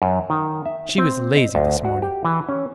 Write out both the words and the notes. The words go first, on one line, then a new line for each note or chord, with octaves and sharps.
"She was lazy this morning!"
F#2
D#3
E5
C4
D#5
D2
F#4
G4
E3
C#4